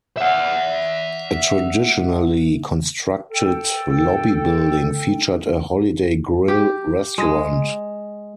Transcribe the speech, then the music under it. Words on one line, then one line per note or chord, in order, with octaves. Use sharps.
A traditionally constructed lobby building featured a Holiday Grill restaurant.
E5 F#5
A4 G5
G4
G#3